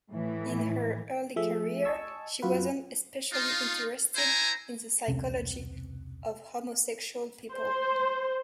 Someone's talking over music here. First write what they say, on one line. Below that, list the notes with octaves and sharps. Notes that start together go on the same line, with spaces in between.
In her early career, she wasn't especially interested in the psychology of homosexual people.
A2 E3
F3 A3 G#4 E5
D#5 G#5 A5 C#6 E6
F#2 F4 F#4 B4
D#4 F4
E4 C5 G#5 A#5
E1 C2 C3 C#4
C5